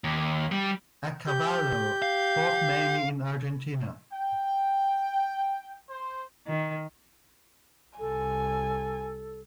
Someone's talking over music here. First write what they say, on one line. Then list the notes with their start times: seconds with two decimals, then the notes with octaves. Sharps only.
Accavallo fought mainly in Argentina.
0.04 D#2
0.52 G3
1.27 G4 G6
2.02 F5
4.13 G5
5.89 C5
6.47 D#3
7.99 C2 A4 G#5